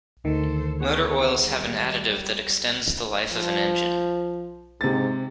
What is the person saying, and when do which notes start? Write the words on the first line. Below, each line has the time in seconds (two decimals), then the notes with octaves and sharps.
Motor oils have an additive that extends the life of an Engine.
0.25 D2 D#3 A4 C5
0.80 B3 G#4 C#5 F#5
1.44 G3
3.32 F3
4.81 G#2 C3 A6